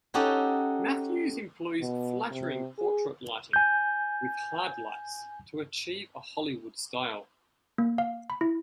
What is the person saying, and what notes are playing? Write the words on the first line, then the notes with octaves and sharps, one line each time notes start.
Matthews employs flattering portrait lighting with hard lights to achieve a Hollywood style.
C#4 D#4 F#4 G4 A4
B2
C3
G#4
G#5 G6
A#3
F5
B5
E4